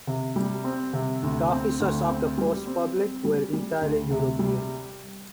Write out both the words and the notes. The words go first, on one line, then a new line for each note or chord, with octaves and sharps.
The officers of the "Force Publique" were entirely European.
C3
G3
C4
C3
D2
C4
D2
C4
G3
C4
C4
G3
G3
D2
C3
G3